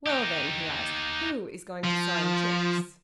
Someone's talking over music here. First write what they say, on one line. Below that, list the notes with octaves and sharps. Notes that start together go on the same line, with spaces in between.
"Well then," he asked, "who is going to sign cheques?"
D#4 G4
F3